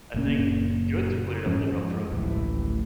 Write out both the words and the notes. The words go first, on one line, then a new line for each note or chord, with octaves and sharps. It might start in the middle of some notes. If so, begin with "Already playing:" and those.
I think it's good to put it up there upfront.
F#1 A#2 A#3 C#4
F2 G#2 F3 C#4
D1 A1 A2 E3